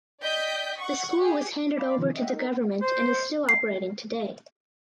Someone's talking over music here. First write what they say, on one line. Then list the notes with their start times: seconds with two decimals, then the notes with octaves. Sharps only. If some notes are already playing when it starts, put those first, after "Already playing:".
The school was handed over to the Government and is still operating today.
0.23 D5 D#5 G5 G6 B6
0.79 F#5 C#6
1.18 G4 G#4
1.77 D5 F5 B5 D6
1.98 C3 D#3 F3
2.14 D#5 E5 F#5 G5
2.31 D#4 A#4
2.82 C5
3.49 C7